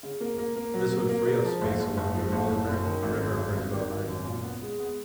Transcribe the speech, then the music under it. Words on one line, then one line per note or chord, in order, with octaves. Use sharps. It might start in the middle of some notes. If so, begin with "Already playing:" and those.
This would free up space along the Willamette River for development.
C#3
A#3
A#3
A#3
F#3
A#3
A#3
C#3
F3
F#1
F#1
F#1
F3
F#1
F#1
F#2
D#3
G#1
F#2
G#1
G#1
D#3
G#1
F#2
A#2
B3
G#3
B3